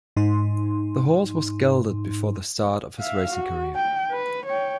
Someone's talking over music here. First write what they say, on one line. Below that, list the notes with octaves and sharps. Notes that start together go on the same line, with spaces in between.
The horse was gelded before the start of his racing career.
G#2 D#4 C6
E5 F5
F#4
G5
B4
C#5 G5